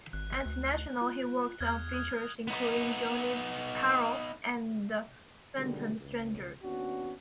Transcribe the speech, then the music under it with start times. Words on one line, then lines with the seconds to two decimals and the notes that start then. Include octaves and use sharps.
At National, he worked on features including "Johnny Peril" and "The Phantom Stranger".
0.13 G#1 F#6
0.46 D2
1.01 F4
1.61 E2 D#6 F6 G#6
1.92 D#6 F#6
2.48 B3 D#4
5.57 B2 D3 D#3 G3 G#3
6.01 C#2
6.63 D#2 B3 C#4 D4 F#4